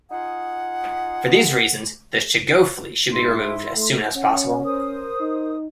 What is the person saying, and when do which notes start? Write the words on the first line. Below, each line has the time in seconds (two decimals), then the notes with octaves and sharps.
For these reasons, the chigoe flea should be removed as soon as possible.
0.10 D#4 F4 G#4 F#5
3.12 G#2 E4 C6
3.76 A3
4.16 C#4 F#5
4.64 A#4 C5 D#6
5.21 D#4